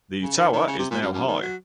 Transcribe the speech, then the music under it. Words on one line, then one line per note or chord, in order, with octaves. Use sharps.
The tower is now high.
C#3
D#3
D#3
C#3
C3
A#2
F#2
F#2
D#3
F#3